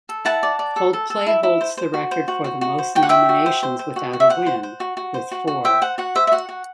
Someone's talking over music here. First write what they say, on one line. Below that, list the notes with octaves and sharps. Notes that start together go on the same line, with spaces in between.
Coldplay holds the record for the most nominations without a win, with four.
A4
E4 F#5 A5
D5
D5
A4
A4
A4
E4
E4
C5
C5
F#4
C5
F#4
F#4
F#4
C5
F#4 G5
F#5
F#4 E5 G5
F#4
C5
C5
C5
F#4
F#4
E5
C5 F#5
C5
C5
F#4
F#4
C5
F#4
F#4
C5 E5 G5
C5 F#5
F#4 F#5
C5 E5
E5
F#4 F#5
F#4